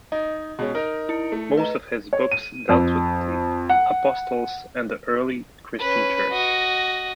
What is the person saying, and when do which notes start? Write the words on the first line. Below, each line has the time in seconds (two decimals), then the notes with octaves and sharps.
Most of his books dealt with the Apostles and the early Christian church.
0.12 D#4 D#5
0.59 B2 G#3 C#4
0.75 D#4 A#4
1.09 E4 C#7
1.32 A3
1.57 B4 D#5 A#5
2.13 C#5
2.31 D#7
2.69 F2
3.69 F#5
5.80 C#4 B4
6.31 F#4 D#5